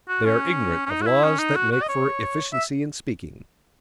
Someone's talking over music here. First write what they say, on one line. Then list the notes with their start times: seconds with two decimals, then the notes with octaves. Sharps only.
They are ignorant of laws that make for efficiency in speaking.
0.08 F#4
0.25 C#4
0.86 C#4
0.90 D#4
1.01 F#4
1.06 E4
1.23 C#4
1.39 D#4
1.55 F#4
1.71 F#4
1.82 D#5
1.89 C#5
2.53 E5